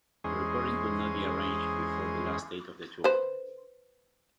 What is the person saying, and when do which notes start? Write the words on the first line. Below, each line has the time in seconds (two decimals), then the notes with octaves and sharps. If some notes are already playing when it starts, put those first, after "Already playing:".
The recording could not be arranged before the last date of the tour.
0.24 E2 G#3 C#4 G#4 C5 D#5
3.04 B4 C5